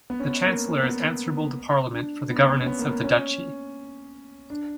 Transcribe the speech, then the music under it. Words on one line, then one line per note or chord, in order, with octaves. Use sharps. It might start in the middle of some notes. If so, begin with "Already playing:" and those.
The Chancellor is answerable to Parliament for the governance of the Duchy.
B3
C#4
B3
A#3
B3
D4
B3
B3
C#4
B3
A#3
B3
C#4
D4